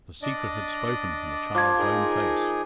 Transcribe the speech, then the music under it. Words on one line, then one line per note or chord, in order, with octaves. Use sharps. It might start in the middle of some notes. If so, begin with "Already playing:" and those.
The secret had spoken from the child's own face.
D4 D5 D#5
F3 D6 G#6
D#4 G#4 A#4